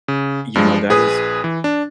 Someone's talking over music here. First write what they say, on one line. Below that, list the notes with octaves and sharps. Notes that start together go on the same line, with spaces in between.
you know, that is
C#3
G2 F3 G#3
A#1 G#4 B4 D#6
E3
D4